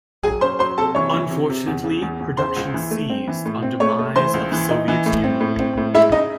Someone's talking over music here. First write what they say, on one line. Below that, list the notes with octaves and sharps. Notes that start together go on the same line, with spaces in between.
Unfortunately, production ceased on demise of Soviet Union.
F#3 G#4 G#5
C#4 C5 C6
F#3 C5 C6
C3 A4 A5
E3 C#5 C#6
E3
C3
C3
E2
C#3
E2
E2
C#3 C5 C6
C#2
E3
A3
C4
E3
A2
C4
A3 C#5 C#6
A3
E3 C5 C6
C#2
E3
D#4
E3
A2
C4
A2
C4
A2
G#3 E4 E5
C#3 D#4 D#5